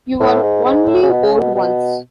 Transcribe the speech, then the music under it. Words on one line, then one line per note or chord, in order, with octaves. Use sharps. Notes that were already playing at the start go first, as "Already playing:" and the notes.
You're Only Old Once!
A2
G#2
G#2
A2
C#3
B2
C#3
B2
B2